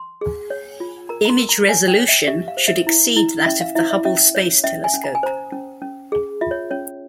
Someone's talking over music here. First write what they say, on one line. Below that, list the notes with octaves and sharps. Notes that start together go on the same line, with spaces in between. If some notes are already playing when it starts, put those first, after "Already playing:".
Image resolution should exceed that of the Hubble Space Telescope.
Already playing: C6
G#4
C#5
F4
A#4 A#5
A#5
C6
A#4
A#5
C#5 G#5
G5
C#5
E5
G4 E5
F5
C5
E5
E4
E4
C#4 E5
F5
E4 E5
E5
C#4 E5
C#5
C#4 E5
G#5
C#4
A#5
G#5
C5 A#5
C#4
C#4
G#4
F4 E5
C#5
C#4 C#5